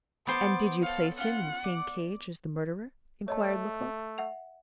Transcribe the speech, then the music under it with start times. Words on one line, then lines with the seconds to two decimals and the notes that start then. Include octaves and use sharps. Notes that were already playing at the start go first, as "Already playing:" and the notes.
"And did you place him in the same cage as the murderer?" inquired Lecoq.
0.27 B3 C5 F#5 G5 A5 D6
0.82 A4 C#5 F5
1.18 C#4 F4 F#5
1.64 D5
3.28 A3 C#5 D#5 A5
4.18 E5 F#5 F7